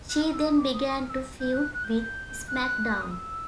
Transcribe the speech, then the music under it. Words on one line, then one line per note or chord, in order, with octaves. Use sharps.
She then began to feud with SmackDown!
F#6
F6
E6
D#6
D6
D#6
D#6
F6
E6
G6
F#6
F#6
G6
F#6
D#6
E6